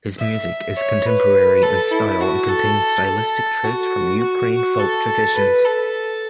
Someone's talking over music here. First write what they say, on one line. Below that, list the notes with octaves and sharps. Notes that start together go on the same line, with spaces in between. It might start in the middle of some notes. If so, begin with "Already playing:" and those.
His music is contemporary in style and contains stylistic traits from Ukrainian folk traditions.
E5
C#5
B4
A4
E4
F#4
A4
A4
F#4
F#4
A4
B4
A4